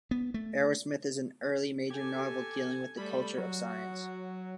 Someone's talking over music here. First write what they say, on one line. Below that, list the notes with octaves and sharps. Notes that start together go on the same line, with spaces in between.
"Arrowsmith" is an early major novel dealing with the culture of science.
B3
A3
G4 A4 G#5
G3 A3 B5
F#3 F#4